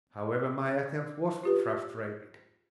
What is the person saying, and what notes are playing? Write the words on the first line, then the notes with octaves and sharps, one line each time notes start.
However, my attempt was frustrated.
F4 G4 B4